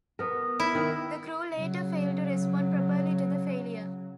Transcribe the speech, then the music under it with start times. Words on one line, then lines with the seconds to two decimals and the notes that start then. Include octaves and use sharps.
The crew later failed to respond properly to the failure.
0.19 B3 A#4
0.60 E4
0.75 D#3
1.55 C#3 F#3